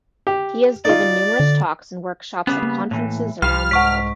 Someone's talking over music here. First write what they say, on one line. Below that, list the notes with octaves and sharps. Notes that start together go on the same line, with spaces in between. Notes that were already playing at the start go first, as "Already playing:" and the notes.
He has given numerous talks and workshops at conferences around the world.
G4
D#4 F4 D5
D3
C#3 G3 B3 C#4
A#3
A2 E3
C2 G3 F4 F6
G#2 F#5 C#6 B6